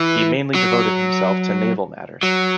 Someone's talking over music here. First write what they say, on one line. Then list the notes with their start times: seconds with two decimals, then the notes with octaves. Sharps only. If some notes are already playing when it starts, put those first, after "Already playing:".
He mainly devoted himself to naval matters.
Already playing: E3
0.55 F#3
2.23 F#3